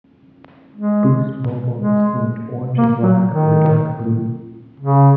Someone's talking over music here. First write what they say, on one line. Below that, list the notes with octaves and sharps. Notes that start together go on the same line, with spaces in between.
Boost mobile is themed orange and black or dark blue.
G#3
G#3
A#3
F#3
D#3
C#3